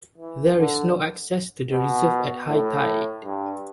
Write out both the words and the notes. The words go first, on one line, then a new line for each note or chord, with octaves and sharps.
There is no access to the reserve at high tide.
E3
D3
B2
A2
G2